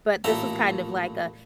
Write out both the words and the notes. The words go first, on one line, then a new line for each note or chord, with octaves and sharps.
but this was kind of like a,
A1 A#2 A4 E5 G5 A#5